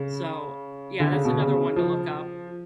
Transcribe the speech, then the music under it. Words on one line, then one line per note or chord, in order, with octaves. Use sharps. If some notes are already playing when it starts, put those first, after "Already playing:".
So, yeah, that's another one to look up.
Already playing: C#3
D3
C#3
B2
C#3
F3